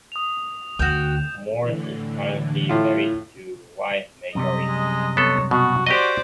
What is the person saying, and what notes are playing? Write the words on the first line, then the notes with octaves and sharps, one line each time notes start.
Moores is currently married to wife Marjorie.
D#6 F7
D2 F#4 G5 D#6 G6 E7
A2 D3 E3
A2 F4
F#2 C3 G3 D#5
G#3
B3 A4 C#5
B2 F#4
F#4 G4 C5 D5 D#5